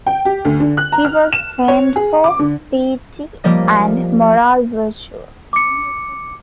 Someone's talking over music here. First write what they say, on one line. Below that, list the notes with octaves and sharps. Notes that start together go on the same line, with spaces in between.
He was famed for "piety and moral virtues".
G5
G4
D2
D3
F#6
A#5
F6
E7
C#5
G#4
D6
D3
F3 G3 A#3 D#5
D6 C#7